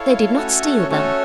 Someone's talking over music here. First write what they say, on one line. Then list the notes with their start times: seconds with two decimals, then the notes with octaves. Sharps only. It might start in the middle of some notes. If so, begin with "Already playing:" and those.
They did not steal them.
Already playing: E4 A4 C#5 F5
0.36 A3 C#4 F#4 A4 C#5
0.89 A3 C#4 F#4 A4 C#5